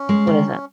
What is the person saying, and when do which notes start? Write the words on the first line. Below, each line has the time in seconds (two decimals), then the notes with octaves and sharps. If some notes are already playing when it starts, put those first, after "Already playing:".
What is it?
Already playing: C#4
0.09 G#3
0.27 D#3